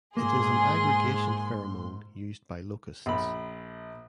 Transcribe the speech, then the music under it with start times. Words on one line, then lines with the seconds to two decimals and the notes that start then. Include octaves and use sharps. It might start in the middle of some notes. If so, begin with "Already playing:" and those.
It is an aggregation pheromone used by locusts.
0.17 G#2 A#3 G#4 C6
3.06 A#1 B5